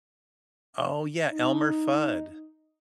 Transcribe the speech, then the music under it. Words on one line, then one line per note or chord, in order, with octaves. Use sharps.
Oh yeah, Elmer Fudd.
D#4